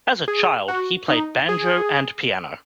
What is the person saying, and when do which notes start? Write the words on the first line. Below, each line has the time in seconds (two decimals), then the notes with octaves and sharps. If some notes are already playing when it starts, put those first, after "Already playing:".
As a child, he played banjo and piano.
0.28 G#4
0.68 F#4
1.08 D#4
1.49 G#4